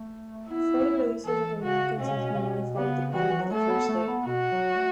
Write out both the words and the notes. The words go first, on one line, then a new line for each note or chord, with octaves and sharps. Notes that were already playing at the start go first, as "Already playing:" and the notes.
Further releases of Americans in Hanoi followed the pattern of the first day.
Already playing: A3
B3 E4
B3
A3
E3 A4
C#3 F#4
B2 C#4
C#3
B2
C#3
B2
C#3 B3
E3 F#4
E3
F#3
A3 A4
B3
A3
B3
B2 F#4
F#3
A3